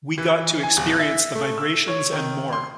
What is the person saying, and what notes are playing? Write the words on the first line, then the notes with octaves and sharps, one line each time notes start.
We got to experience the vibrations and more.
E3
G#5
D1
E5
A3
E6
C#5
D#3
C6